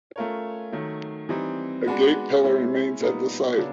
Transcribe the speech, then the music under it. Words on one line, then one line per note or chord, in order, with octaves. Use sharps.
A gate pillar remains at the site.
A3 C#4 F4 A#4 C#5
D#3 F#3 A3
E3 G3 C4 D#4
G#3 B3 D4 F#4 B4
G#3 C#4 E4
A#2 G3 B3 D#4
C#3 F#3 B3 D4